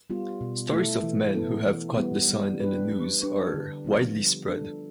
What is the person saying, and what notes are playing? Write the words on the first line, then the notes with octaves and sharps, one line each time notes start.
Stories of men who have caught the sun in a noose are widely spread.
G3 B3 F4
B2
A3 E4 A4
E3
B3 E4 A4
E3
G3 B3
G3
D4 G4 B4
G3
D4 G4 B4
D3
F3 B3 F4
G3
D4 A4